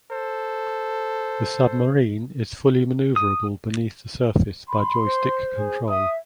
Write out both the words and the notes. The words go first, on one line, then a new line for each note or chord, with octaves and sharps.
The submarine is fully maneuverable beneath the surface by joystick control.
A4 C5
D#6
B5 C6
C5
G#4
E5 D#6